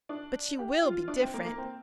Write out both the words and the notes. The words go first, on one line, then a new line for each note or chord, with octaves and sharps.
But she will be different.
D4
G4
F4
D4
C4
A#3
A#3
C4